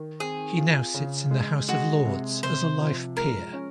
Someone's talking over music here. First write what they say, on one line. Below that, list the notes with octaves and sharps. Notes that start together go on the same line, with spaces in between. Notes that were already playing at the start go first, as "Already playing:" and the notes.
He now sits in the House of Lords as a Life Peer.
Already playing: D#3
C4 G#4
F4
C#3
G#3
G#3 F#4
C3
C3 C5
F3
G#3 A#4
C#4